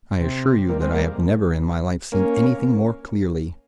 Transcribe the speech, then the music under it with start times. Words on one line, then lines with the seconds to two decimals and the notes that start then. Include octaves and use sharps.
I assure you that I have never in my life seen anything more clearly.
0.21 C3
0.69 G3 A#3
0.81 G#3 C4
0.93 G3 A#3
2.12 A#3 C#4